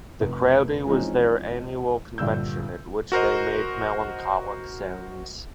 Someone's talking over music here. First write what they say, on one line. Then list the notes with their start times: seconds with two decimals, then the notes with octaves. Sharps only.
The Crowdie was their annual convention, at which they made melancholic sounds.
0.21 F1
0.86 E3 F3 G#3 C4 C#4 D#4
2.18 A#1 G2 D3 E6 G6
3.12 F#4 A#4 C5 D#5